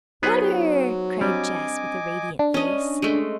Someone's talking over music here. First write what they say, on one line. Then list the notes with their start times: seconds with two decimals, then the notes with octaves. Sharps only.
"Butter!" cried Jess with a radiant face.
0.23 F#3 B3 D#4 G#4 B4 C5
1.21 G3 C4 D4 D#5 G#5 D6
2.39 D4
2.54 C#4 D#5
3.02 G#3 A3